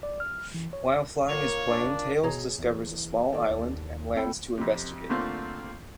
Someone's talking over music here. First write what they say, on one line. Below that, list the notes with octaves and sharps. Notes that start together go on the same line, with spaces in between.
While flying his plane, Tails discovers a small island and lands to investigate.
D5
F6
E3
C#5
A#3 F4 A#4 C#5
D4
B2 G#4 C#5 A#5
E2
D#3 A4 D5
D#2
C4 A4 G5 B5
F2 C3
D3 A3 A#3 C4 F4